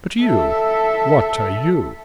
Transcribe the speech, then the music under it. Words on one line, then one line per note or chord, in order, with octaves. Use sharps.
But you--what are you.'
A4 E5